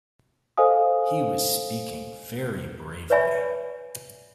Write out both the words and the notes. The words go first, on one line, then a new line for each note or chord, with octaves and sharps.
He was speaking very bravely.
A4 C5 D#5 F5 G#5 D#6
B4 C#5 D5 E5 G#5 B5